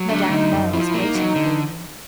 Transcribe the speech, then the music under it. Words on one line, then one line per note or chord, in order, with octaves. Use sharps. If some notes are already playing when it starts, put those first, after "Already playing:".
"Madame Merle's waiting for you."
Already playing: F#3
A3 D4
D3 D#4
F#2
F3 E4
E4
A#3
D#4
F#3
D3